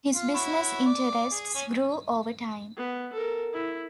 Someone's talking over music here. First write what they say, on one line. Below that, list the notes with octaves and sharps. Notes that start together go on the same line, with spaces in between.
His business interests grew over time.
F4
E4 F#4 C#5
D5
G#4
C#4 G#5
B3
A4 A#4
E4